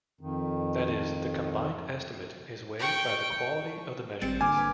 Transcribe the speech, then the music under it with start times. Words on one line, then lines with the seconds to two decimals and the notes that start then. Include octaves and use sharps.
That is, the combined estimate is weighted by the quality of the measurements.
0.21 F2 D#3
2.79 G5 C#6
4.22 G#1 G3 C4 A6
4.41 D3 A#3 G#5 D6 F6
4.57 B4